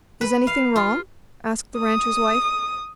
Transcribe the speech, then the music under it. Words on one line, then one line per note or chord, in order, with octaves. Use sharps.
"Is anything wrong?" asked the rancher's wife.
B4
F5
F4
D#6